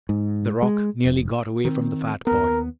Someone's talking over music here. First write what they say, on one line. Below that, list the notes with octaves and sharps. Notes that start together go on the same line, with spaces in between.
The rock nearly got away from the fat boy.
G#2
G#3
F1
D#3 C4
D#2 B3 A#4